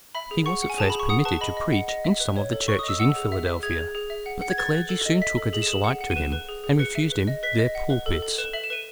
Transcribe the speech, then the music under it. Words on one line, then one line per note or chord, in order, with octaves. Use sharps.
He was, at first, permitted to preach in some of the churches in Philadelphia, but the clergy soon took a dislike to him, and refused him their pulpits.
E5 B5
G#4
F#5 C#6
F#5
G#5
G#4 A5
G#4 B5
C#6
F#5 D#6
B4 A5
D#5 B5
D#5
F#5
D#5
E5
B4
C#5
A4
B4 C#6
D#6
D#5
E6
F#5 E6
G#4
E5
E5
G#4 G#6
G#4
G#4
E5
F#5
F#5
G#6
B4 A6
B4
A4
D#5
E5 B6
A4
G#4 F#7
E7
G#4 F#7
F#5
F#5
D#7
B4 E7
B4
G#4
G#4
B4 C#7
E5
B4
D#5
B4 B6
D#5
F#5
B4
A4
A4
B4 E7
E5 F#7
E7
B4 D#7